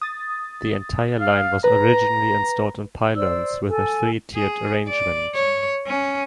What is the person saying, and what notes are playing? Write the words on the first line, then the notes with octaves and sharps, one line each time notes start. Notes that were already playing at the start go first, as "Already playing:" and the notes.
The entire line was originally installed on pylons with a three-tiered arrangement.
D#6 A6
F5
B4 A#5
C5 D5 E6
A4 G#5
G#4
D5
C#5
C#4